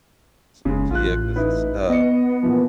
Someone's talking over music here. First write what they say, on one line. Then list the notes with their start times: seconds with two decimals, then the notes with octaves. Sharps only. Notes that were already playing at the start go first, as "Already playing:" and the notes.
s so yeah 'cause it's, um
0.65 F1 C#3 G#3
0.91 A1 F4 F#6
1.36 D#4 E4 B4
1.89 B3 D#5 C#7
2.43 A#2 E3 F3